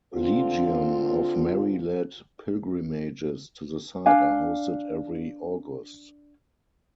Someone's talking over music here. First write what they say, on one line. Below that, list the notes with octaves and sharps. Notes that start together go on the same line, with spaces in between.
Legion of Mary-led pilgrimages to the site are hosted every August.
D3 C4 F4
D4 F5 G#5